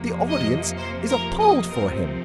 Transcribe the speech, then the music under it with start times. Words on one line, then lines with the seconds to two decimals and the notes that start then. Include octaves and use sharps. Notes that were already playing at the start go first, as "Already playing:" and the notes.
The audience is appalled for him.
Already playing: F2 C3 F3 A#3
0.29 D#5
0.77 C5
1.09 A#4
1.40 D#5
1.72 C3 F3 C4 A#4